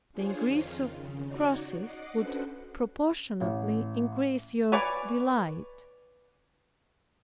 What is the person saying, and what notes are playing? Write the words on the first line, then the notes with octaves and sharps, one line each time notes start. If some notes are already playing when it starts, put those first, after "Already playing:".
The increase of crosses would proportionately increase your delight.
D4 F4 G#4 C5 C#5 G#5
F2 D#3 F4
C#3
D#4 F#4 C#5 D5
D#5 F#5 D6 C7
C#4 D4 F#4 A4 B4 C5
A1
B4 C#5 D5 G#5